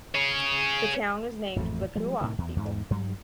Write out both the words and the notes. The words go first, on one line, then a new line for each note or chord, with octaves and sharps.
The town was named for the Kiowa people.
G#4 C#5
A1 F2 G#2 A3
F3 G3 G#3
A2 C3 D#3
E2
E2 G#2
G2 F#3 G3